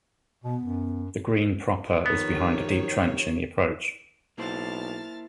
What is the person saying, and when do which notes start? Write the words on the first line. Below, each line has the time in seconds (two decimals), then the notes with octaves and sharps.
The green proper is behind a deep trench in the approach.
0.44 B2 B3
0.62 F#2
2.06 D#3 F3 B3 G4 C#5
4.38 B1 A#3 E4 C5 A5 F6 A6